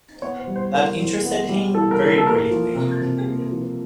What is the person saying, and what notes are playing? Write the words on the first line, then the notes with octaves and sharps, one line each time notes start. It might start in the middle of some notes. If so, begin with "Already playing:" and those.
That interested him very greatly.
B3 C#5
C5
G3
C5
E3 A#4
E3
B3
G3
E3 A4
A#4
E3
A#4
A4
A#3 A#4
F3
C3 A#4
C3
A#3
F3